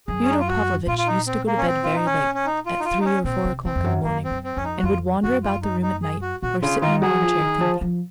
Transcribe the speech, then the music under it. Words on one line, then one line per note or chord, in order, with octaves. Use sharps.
Fyodor Pavlovitch used to go to bed very late, at three or four o'clock in the morning, and would wander about the room at night or sit in an arm-chair, thinking.
F#2 G#4
C#4
D#4
F4
F#4
A#2 F4
F4
D#4
C4
A#3
C#4
C4
F4
D#4
C#4
C#4
D#4
F4
D#4
F4
D#4
C#4
A#2 C4
C3
C3 C4
F2
F#2
F#2 A#3
C4
F#2
C4
F2 C#4
D#4
F#4
F2 F4
F#2 F#4
F4
D#4
D#4
G#4
F#4
A#2 F#4
C#3 F4
D#3 F4
F#3 G#4
F3
D#3
F3
F3